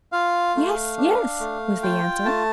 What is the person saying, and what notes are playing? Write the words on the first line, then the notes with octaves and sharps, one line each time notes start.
"Yes, yes," was the answer.
F4 F5
A3
D4
A3
F4 G5
A3 A5